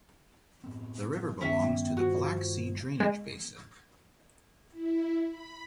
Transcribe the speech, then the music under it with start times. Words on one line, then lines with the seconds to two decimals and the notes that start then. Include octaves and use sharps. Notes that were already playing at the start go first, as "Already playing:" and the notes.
The river belongs to the Black Sea drainage basin.
0.64 A2 B3 C4
1.41 G2 D#3 B3 C#4 E5 G5
1.97 F4 F#4 C5
3.00 G#3
4.71 E4
5.24 B5